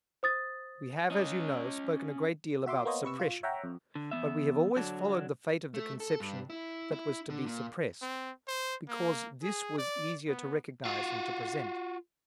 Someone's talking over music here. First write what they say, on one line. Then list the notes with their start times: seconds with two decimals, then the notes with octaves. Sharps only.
We have, as you know, spoken a great deal about suppression, but we have always followed the fate of the conception that was to be suppressed, because this was easier to recognize and to present.
0.23 C5 D#6 A6
1.10 C#4 D#5
2.66 F#4 E5 C6 D6
2.85 A#3 B3 C5 C#5 D#5
3.04 C3 B4 C#6 E6
3.19 F4
3.43 C#5 E5 F#5 G5 A#5
3.64 F2
3.95 D3
4.11 E2 G#2 B3 E5
4.76 D3 F#3 D4
5.74 A3
6.00 A4
6.20 G2
6.50 E4
6.92 E4
7.30 D3
7.46 A#2
8.02 C4
8.47 C5
8.88 A#3
9.43 G#4
9.78 D5
10.28 B3
10.85 F4 F#4